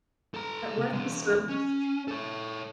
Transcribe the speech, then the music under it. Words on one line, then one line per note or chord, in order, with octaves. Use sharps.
weren't the surfers
A4 A#5
C3
G#3 B3
C#4
A4 C#5